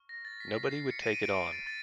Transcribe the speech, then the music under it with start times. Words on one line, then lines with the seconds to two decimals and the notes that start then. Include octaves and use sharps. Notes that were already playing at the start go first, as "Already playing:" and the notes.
Nobody would take it on.
Already playing: C#6 F6
0.09 A#6
0.25 A6
0.40 B6
0.55 C7
0.71 C7
0.91 C#7
1.02 D#7
1.12 D7
1.23 D7
1.32 D#7
1.52 A6
1.67 A6